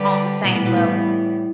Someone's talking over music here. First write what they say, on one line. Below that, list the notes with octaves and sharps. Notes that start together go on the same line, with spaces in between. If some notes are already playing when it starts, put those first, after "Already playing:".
on the same level.
Already playing: D3 G3 D4 G4 B4
B2 E3 G3 B3
A2
B2
A2